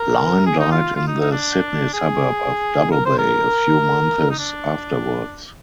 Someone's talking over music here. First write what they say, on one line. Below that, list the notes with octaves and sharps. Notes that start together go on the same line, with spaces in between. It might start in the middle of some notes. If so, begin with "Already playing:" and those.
Lyne died in the Sydney suburb of Double Bay, a few months afterwards.
Already playing: A#4
G#4
D#4
F4
F4
D#4
D#4
D4
G#4
A#4
C5
A#4
D#4
D4